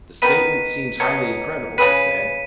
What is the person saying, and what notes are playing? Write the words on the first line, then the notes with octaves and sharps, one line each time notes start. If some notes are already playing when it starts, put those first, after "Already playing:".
"The statement seems highly incredible," he said.
D#3 B3 D#4 B4 B6 D#7
B2 F#3 D#4 G#6 C#7
C#3 B3 G#4 B4 B6 D#7